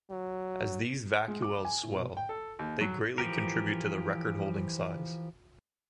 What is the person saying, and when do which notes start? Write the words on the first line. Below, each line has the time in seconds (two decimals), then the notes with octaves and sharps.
As these vacuoles swell, they greatly contribute to the record-holding size.
0.10 F#3
1.28 G#3
1.42 D6
1.65 G#5
1.83 A2
1.96 B2
2.17 G5
2.29 A4
2.59 D#2
2.81 F#3
3.18 E3 F3 G4 A#4